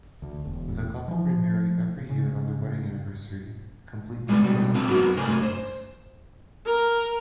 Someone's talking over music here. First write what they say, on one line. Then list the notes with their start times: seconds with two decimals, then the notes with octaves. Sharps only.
The couple remarry every year on their wedding anniversary, complete with guests and festivities.
0.22 D2
0.45 E1
1.08 F3
2.09 C#3
4.28 C2 G3 G#3 B3
4.42 B2 G3
4.73 A#2 C4 F4 G5 A5
4.87 F#3 G3 B3 D#4 F#4 A#4
5.17 C3 A3 A#4 C#5 G#5 C6
5.43 C5
6.65 A#4